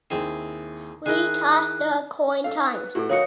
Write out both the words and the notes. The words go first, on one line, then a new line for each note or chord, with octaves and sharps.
We toss the coin times.
D#2 C4 E4 G#4
D#3 E4 G#4 A#4 F#6
A4 F5
D#4
B4
A2 F#4 G4 A4
D#3 D#4 F#4 C#5 F5 D#6 C#7